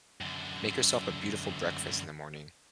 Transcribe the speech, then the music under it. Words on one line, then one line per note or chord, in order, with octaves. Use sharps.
make yourself a beautiful breakfast in the morning.
F#2 D3